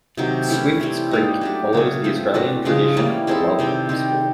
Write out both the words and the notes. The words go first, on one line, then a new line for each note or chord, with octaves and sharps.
Swifts Creek follows the Australian tradition of a love of sport.
C3 D#3 F#3
E3 A3 C#4 E4
C3 E3 G3 C4
G3 A#3 D#4
F#3 A3 D4 G4
C#3 F#3 A3
F3 A3 C4
E3 A3 D4 F#4
C#3 F3 G#3
E3 G3 A#3 C#4
G#3 C4 E4 A4
C3 D#3 G3 C4
D#3 G3 C4